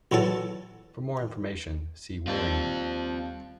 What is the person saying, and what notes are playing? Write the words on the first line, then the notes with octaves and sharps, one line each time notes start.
For more information see Wieringen.
B1 E3 F#3 A4 A5
D#2 G3 C4 F4 A5